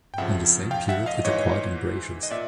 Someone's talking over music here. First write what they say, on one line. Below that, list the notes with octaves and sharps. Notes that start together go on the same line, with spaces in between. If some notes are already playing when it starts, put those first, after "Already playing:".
In the same period, it acquired embrasures.
G5
F2 C#3 F3 E5 F#5
F5 G5
E5 F#5
D#5 F5
G#2 E3 C#5 D#5
D#5
A#2 D5 E5